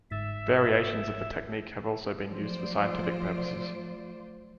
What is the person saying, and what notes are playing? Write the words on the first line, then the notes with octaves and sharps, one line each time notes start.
Variations of the technique have also been used for scientific purposes.
G1 G#2 E5 A6
F3 F#3 A3 F4 C5 D5